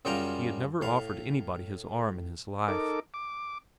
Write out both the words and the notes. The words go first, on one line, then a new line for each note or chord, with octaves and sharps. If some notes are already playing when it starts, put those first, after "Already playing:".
He had never offered anybody his arm in his life.
F#2 C#3 G3 F4 G5 A#5
A2 F5
D#4 A4 A#4 D6
D6